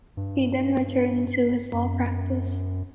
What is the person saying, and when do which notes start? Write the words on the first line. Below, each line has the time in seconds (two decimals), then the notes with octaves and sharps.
He then returned to his law practice.
0.17 G2
1.73 F#2